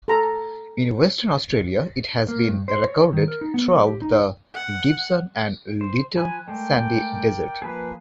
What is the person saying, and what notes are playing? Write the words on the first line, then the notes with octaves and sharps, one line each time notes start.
In Western Australia it has been recorded throughout the Gibson and Little Sandy Desert.
A4 A#5
A#3
G2
C5
C#5
D#3
A#4
D#4
B3
F#3
G4
D#4
F#5
C5
F3 G#5 B5 F#6
G#3 A3 A#4 D5 G5
F3 A#3 G#4 B4